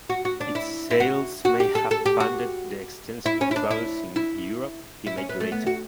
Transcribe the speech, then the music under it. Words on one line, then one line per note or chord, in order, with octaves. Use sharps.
Its sales may have funded the extensive travels in Europe he made later.
F#4
F#4
D4
E4
E4
F#4
F#4
G4
A4
A4
G4
F#4
E4
C#4
E4
D4
E4
E4
E4
C#4
B3
A3
B3
F#4